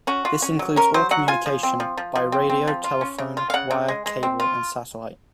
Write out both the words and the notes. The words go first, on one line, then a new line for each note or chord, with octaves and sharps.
This includes all communication by radio, telephone, wire, cable and satellite.
C#4 F#4
F4
C#4
F#3
C#4 A#4
F#3 C5
F#3 F#5
F4 G#5
F3
C4
F3
F3
F3
C4
C4
F3
F4
C#4
C#3
F4
F5
C#3 F#5
C#3
G#3
G#3
C4
F4